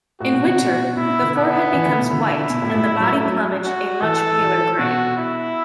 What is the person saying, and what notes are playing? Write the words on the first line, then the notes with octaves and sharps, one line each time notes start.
In winter, the forehead becomes white and the body plumage a much paler grey.
A2 F#4
B2
D3
B2
B2 E4
B2
D3
B3
E3
D3
B2
D3 E4
B2
A2
A2
F#3
A3
F#3
F#4
E3 A4
E3
B2 F#4
E4